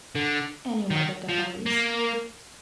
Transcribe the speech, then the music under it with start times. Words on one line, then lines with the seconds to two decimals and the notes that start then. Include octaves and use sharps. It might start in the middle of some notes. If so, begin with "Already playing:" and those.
Any word of the police?
0.16 D3
0.91 D#3
1.29 F3
1.66 A#3